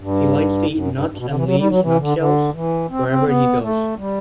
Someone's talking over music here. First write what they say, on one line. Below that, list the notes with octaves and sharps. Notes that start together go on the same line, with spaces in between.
He likes to eat nuts and leaves nutshells wherever he goes.
G2
F#2
G2
G2
B2
D3
E3
F#3
G3
F#3
E3
D3
D3
E3
C4
C4
B3
A3
G3